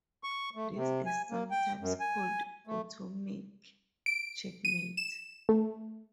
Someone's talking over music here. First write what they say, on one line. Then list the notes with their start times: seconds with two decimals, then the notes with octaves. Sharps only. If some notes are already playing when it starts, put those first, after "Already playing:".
This is sometimes called "atomic checkmate".
0.24 C#6
0.55 A3
0.76 C3
1.06 G#5
1.31 A#3
1.51 G5
1.80 F#2
2.00 G#5
2.67 A3
4.06 D7
4.65 D#7
4.97 E7
5.49 A3